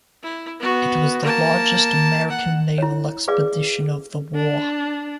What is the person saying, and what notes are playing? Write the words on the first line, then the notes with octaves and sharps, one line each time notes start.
It was the largest American naval expedition of the war.
E4
B3 F#4
A#3 A5
F#5
E4 C#5
G#4 B4 D5 F5 D6
D4